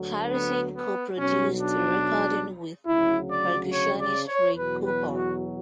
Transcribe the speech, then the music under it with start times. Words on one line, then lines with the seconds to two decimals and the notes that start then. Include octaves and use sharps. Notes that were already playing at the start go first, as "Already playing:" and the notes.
Harrison co-produced the recording with percussionist Ray Cooper.
Already playing: D2 D3 F#3
0.32 B3
0.75 B3
1.17 B1 B2 F#3 C#4
1.60 D4
2.87 D2 C#3 F#3 E4
3.30 D5
3.72 C#5
4.01 D5
4.28 C#5
4.57 E2 B2 F#3 B4
4.85 B4
5.14 F#4